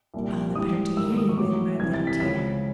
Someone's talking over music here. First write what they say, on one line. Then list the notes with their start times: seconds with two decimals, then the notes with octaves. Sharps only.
"All the better to hear you with, my little dear."
0.14 C2 A#2 G3
0.55 G#2 E3 G3 D#6
0.97 G#2 D#3 G3 E6
1.18 D#6
1.29 C#6
1.37 A2 F#3 D6
1.79 C2 C3 E3 G3 G#6
1.94 A6
2.07 B6
2.20 C#2 C#3 F3 B6